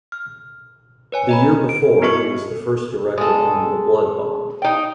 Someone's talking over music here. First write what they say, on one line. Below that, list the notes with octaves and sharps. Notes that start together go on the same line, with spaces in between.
The year before he was the first director on "The Blood Bond".
F6
B4 C#5 G#5
D#5 A#5 B5
D7
B3 E4 F#4 D#5 C#6 C#7
G#3 A4
D#4 G5